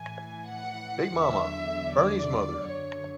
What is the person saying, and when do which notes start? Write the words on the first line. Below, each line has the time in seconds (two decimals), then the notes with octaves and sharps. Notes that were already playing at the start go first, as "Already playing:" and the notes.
Big Mama - Bernie's mother.
Already playing: A2 E3 G#5
0.48 F#5
1.20 E2 D3 F#3 E5
1.92 D5
2.64 F#2 D3 F#3 C#5